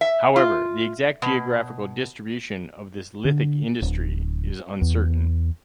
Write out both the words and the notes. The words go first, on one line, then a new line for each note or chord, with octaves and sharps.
However, the exact geographical distribution of this lithic industry is uncertain.
E5
F4
B2
D3
D1
E2